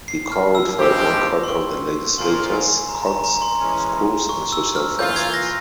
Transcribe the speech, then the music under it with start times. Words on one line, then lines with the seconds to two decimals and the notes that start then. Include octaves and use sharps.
He called for a boycott of the legislatures, courts, schools and social functions.
0.08 C7
0.32 F6
0.55 E6
0.78 G2 F3 G#3 C4 G4
1.44 C6
1.48 C#6
2.18 A#2 F3 A#3 F4 C6
2.54 G#5
2.89 A#5
3.06 A#5
3.24 A#5
3.42 C6
3.59 E3 G#3 C#4
4.29 C#6
4.52 E6
4.76 F6
4.99 E3 A#3 F4 G6
5.16 G#6
5.34 A#6